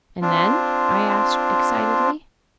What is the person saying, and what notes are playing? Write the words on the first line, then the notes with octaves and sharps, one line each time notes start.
"And then?" I asked, excitedly.
C4 D4 F4